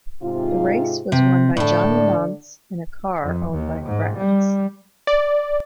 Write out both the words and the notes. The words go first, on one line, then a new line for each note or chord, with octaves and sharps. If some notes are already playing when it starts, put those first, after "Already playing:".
The race was won by Johnny Mantz in a car owned by France.
G#2 C3 F4
C3
A2 D3 A4 D5
F2
D#2
G#2
G3
D5